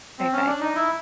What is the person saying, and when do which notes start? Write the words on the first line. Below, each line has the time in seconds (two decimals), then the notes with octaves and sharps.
Alright. Bye.
0.18 C4
0.33 C#4
0.47 D4
0.60 D#4
0.75 E4